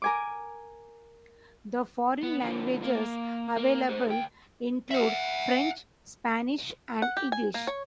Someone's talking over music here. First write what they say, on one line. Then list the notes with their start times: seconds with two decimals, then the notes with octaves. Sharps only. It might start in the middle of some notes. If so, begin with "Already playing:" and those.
The foreign languages available include French, Spanish, and English.
0.02 A#4 G#5 D6
2.23 B3
2.42 D3 F3
2.83 A#3
3.56 A#3
3.89 G#4 C5
4.08 D2 G5
4.91 E5 F#5
7.02 F#5
7.17 G4
7.32 G#5
7.54 A#3
7.67 C#5